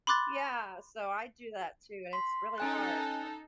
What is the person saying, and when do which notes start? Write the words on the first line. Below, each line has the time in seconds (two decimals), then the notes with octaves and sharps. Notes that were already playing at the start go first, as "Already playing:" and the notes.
Yeah, so I do that too, and it's really hard.
0.07 B5 C6 D6 F#6 A6
2.13 C6 B6
2.58 C#4 D#4 A4 G#5 F#6